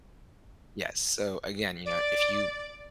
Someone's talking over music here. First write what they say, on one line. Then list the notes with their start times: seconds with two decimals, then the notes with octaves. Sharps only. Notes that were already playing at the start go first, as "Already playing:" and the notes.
Yes. So, again, you know, if you
1.85 D5